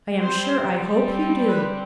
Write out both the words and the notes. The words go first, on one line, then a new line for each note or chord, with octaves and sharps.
I am sure I hope you do.
G3 C4 C5
B4